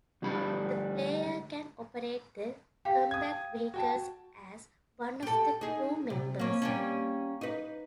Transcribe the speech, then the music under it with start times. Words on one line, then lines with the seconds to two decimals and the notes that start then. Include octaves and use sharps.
The player can operate the combat vehicles as one of the crew members.
0.22 D2 G3 D4 B5
2.85 G4 F5 G5
3.11 D#6 G#6
3.74 F#4 G5 A5
5.23 G4 A4
5.61 D#4 G#4
6.10 C3
6.39 A#3 C#4
6.62 G3 A#3 C#4
7.41 D#4 B4